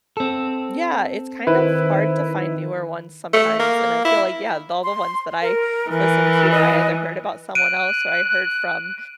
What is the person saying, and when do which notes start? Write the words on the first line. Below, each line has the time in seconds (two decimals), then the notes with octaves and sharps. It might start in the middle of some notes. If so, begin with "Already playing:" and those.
Yeah, it's kind of hard to find newer ones sometimes, and I feel like yeah, all the ones that I listened to, I either heard about someone else or I heard from
0.17 C4 A4
1.47 D#3 E4 B4 C5
3.33 A3
3.59 A#3
4.05 E4
4.83 C6
5.42 A#4
5.91 E3 A#4
6.52 D#5
7.55 F#6 D7 D#7